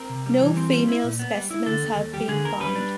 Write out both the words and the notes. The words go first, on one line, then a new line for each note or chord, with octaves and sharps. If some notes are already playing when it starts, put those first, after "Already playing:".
No female specimens have been found.
Already playing: C4 A#4
C3
G3
E3
C4
G3
E4
A#2
B3
G3
E4
D3 A4
D#2
D#2
G3 G4
D3 G#4
D#2 A#4
G3 B4
D4